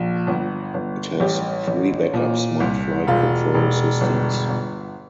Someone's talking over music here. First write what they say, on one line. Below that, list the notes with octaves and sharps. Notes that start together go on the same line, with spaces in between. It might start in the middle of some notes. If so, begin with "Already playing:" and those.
It has three backup smart flight control systems.
Already playing: A#1
G1
G1
A1 G3 G4
A1
A#2
C2
E1 F4
E1
G1
G1